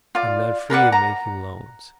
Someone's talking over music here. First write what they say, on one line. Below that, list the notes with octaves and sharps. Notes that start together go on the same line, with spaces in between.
I'm not free in making loans.
F4 D5
A#4 B4 D5 F#5
A#5